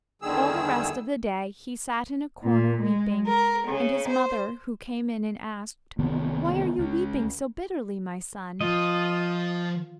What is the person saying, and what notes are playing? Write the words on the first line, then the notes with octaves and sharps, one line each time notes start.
All the rest of the day he sat in a corner weeping, and his mother who came in asked: 'Why are you weeping so bitterly, my son?'
E2 D3 D#3 G3 G#4 E6
A#2
G#3
A#4
C#3
C5
C2 D#3 E3 B3
C#2
F3 F4 D#5